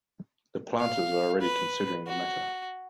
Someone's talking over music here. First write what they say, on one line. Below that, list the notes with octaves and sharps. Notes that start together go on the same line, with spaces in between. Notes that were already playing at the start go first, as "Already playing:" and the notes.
The planters are already considering the matter.
F5
B4
F#4